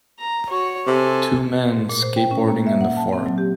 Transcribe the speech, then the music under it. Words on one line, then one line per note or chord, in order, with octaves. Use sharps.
Two men skateboarding in the forest.
A#5
F#4 C#5
C3 A4 G#5
G#2
A#2
C5
G5
C#4
A#3
E5
F#5
A5
C4
F#3
G4